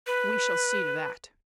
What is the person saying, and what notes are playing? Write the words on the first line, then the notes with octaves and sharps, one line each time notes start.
"We shall see to that."
B4